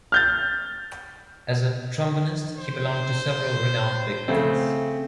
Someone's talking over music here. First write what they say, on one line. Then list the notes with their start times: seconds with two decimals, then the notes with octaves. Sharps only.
As a trombonist, he belonged to several renowned big bands.
0.12 F6 G6 A6
2.59 C5
4.28 C#3 A3 C4